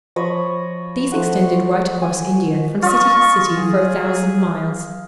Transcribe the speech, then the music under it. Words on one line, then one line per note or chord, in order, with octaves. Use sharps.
These extended right across India, from city to city, for a thousand miles.
F3 C#5 D#5 B5
F3 A3 F#5
G#5
F4 D#5 C#6 F6
F#3 G#4